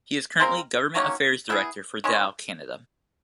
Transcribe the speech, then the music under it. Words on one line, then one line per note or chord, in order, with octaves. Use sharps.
He is currently Government Affairs Director for Dow Canada.
G#3 C4 F4 A#4
D#3 F#3 A#3 C#4
B3 E4 G#4
D#3 G#3 C#4